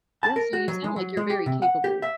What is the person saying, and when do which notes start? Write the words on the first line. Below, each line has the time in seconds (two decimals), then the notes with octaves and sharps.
Yeah, so you sound like you're very capable.
0.23 A5
0.36 A#4
0.53 F#4
0.68 F#3
0.84 G#3
0.96 F#3
1.17 G#3
1.30 G4
1.46 C3
1.62 F#5
1.84 G4
2.02 E5